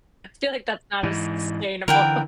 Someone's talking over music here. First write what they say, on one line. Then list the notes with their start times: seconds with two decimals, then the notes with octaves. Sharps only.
feel like that's not as sustainable,
1.03 G#2 E3
1.88 D3 E3 A#4 F#5 G5